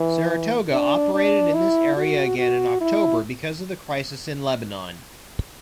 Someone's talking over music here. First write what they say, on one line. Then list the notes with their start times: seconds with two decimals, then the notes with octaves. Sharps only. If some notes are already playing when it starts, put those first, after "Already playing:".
"Saratoga" operated in this area again in October because of the crisis in Lebanon.
Already playing: E3
0.72 D4
1.14 D4
1.55 E4
1.97 F#4
2.39 F#4
2.81 E4